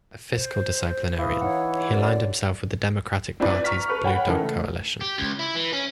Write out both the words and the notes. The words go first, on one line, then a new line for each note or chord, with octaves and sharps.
A fiscal disciplinarian, he aligned himself with the Democratic Party's Blue Dog coalition.
C5
E3 F5 D#6
D#4 C#5 F#5
F#2 D5
C4 D4 E4 F4 B4 D5
A#5 C#6 F6 B6
A4 B4 C#6 F6
C#5 F#5 G5 B5
C#3 E3 D#4 A4 A#4
A3
G4
C#2
E4
E3
C#4